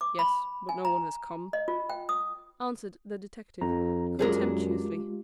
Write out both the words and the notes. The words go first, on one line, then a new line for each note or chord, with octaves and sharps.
"Yes, but no one has come," answered the detective, contemptuously.
D6
B5
G#5
A#5
D#5
F4
G5
D#6
F2 A#5
F#2 G#3 D4 F4 G4 G#4 A#4